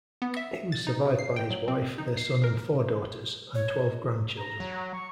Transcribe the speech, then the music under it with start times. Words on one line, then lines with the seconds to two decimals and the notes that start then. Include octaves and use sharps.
He was survived by his wife, their son and four daughters, and twelve grandchildren.
0.22 B3
0.37 E5
0.72 A6
0.87 D#4
1.05 C3
1.19 C7
1.36 G5
1.50 F#3
1.68 C4
1.98 D#4
2.17 C7
2.44 A#4
3.54 C#5
4.37 A#5
4.60 F#3
4.92 C#6